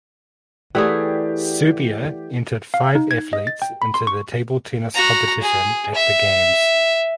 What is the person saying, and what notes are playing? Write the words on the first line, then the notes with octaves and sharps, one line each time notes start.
Serbia entered five athletes into the table tennis competition at the games.
E3 A3 G4 G#4 D5 F#5
F5
D#4
G#6
D#5
A6
G5
B5
C6
C#6
F#4 A#5
G#4
E5